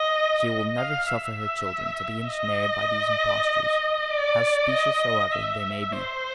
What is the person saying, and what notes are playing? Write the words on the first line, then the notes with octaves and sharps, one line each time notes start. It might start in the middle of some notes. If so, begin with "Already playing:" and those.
She will never suffer her children to be ensnared by these impostures, how specious soever they may be.
Already playing: D#5
D#5
F5
E5
D#5
D5
D#5
E5
C5